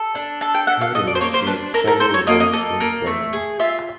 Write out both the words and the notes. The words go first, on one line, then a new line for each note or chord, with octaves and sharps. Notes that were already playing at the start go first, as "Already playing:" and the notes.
Carter received several awards for his writing.
Already playing: A4
D4
A4 A5
G5
A4 F#5
F5
A4 D#5
D5
C5
A#3 C#5
C5
D4 B4
A4 A#4
A#4
A4 C5
C#5
A#3 D#5
D#5
A4
A#3
A3
G#4
F4 E5